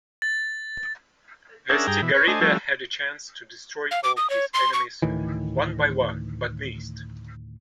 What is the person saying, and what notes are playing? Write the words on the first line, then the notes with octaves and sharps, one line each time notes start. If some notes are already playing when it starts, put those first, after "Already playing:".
Estigarribia had a chance to destroy all his enemies one by one, but missed.
A6
C#4 D4 G#4 A#4 E5 F#5
G2 G#4 G5 A#5
B2 E3
B4 C#5
A3 D4 C5 D#5 G#5
F3 G3 A3 C#4 E4 F#4
F5
D6
D#6
C#5
C6
C#6
D2 A2 D#3 E3